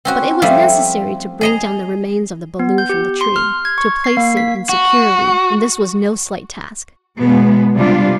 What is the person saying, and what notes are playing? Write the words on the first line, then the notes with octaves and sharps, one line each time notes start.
But it was necessary to bring down the remains of the balloon from the tree, to place it in security, and this was no slight task.
C4 C#4 F#4
F3 G3 A3 E4 F4
G#4 D#5 A#5
B3
G6
G4
C6
F6
G#6
C#6
C7
A#3
B6
F#4
B2 G#3 B3
C3 G3 D4 F4